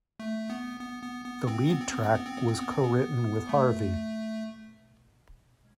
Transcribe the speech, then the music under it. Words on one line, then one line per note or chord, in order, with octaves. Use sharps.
The lead track was co-written with Harvey.
A3
B3
B3
B3
B3
C4
B3
C4
B3
C4
B3
C4
B3
C4
B3
C4
B3
A3